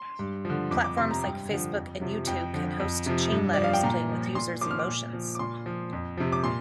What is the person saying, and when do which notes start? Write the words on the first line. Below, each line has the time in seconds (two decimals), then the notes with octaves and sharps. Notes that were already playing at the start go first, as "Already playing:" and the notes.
Platforms like Facebook and YouTube can host chain letters playing with users' emotions.
Already playing: C6
0.19 G2
0.45 D3 F3
0.71 F2 D6
0.84 D6
0.97 C3 F3 C6
1.11 A#5
1.24 G2 G5
1.49 D3 F3
1.75 F2
2.01 C3 F3
2.27 F2 G5
2.54 D3 F3
2.80 F2
3.06 C3 F3
3.32 G2
3.53 F3 D5
3.64 F5
3.73 G5
3.83 A#2 A#5
4.09 F3
4.35 A#2 C6
4.61 F3 D6
4.71 F6
4.79 D6
4.88 A#2
5.13 F3
5.35 D6
5.39 A#2 C6
5.66 F3
5.93 F2
6.18 C3 F3
6.32 D6
6.44 A#2 C6